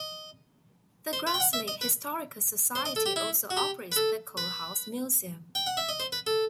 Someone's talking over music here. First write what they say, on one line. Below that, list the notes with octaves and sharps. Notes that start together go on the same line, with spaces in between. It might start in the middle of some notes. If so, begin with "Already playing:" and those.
The Grass Lake Historical Society also operates the Coe House Museum.
Already playing: D#5
C5
B4
G5
F#5
E5
D#5
B4
C5
D#5
A4
G4
E4
F#4
G4
B4
A4
B4
G5
F#5
E5
D#5
C5
B4
A4